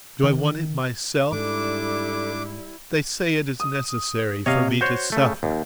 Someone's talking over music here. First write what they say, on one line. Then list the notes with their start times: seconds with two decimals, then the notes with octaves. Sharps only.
Do I want it myself? They say it is necessary for me to suffer!
0.24 D#3
1.32 G#2 G3 D4 E4 A4 D6
3.60 D#6
4.46 C3 C#5 D#5 F5
4.81 F#4 C5 C#5 G6
5.12 C#3 A3
5.43 D#2